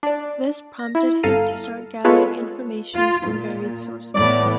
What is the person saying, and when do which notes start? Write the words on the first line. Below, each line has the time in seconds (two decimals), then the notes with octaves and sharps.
This prompted him to start gathering information from varied sources.
0.03 D4 D5
0.79 A#6
0.95 E4
1.23 G1 A4 F5 A#5 F6 D#7
2.05 G#3 B3 F4 A4 B4 C#5
2.94 F4
3.27 A#2
4.15 A2 E3 B3 D5